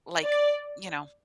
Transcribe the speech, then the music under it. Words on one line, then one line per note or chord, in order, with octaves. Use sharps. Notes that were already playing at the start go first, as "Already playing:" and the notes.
like, you know,
D5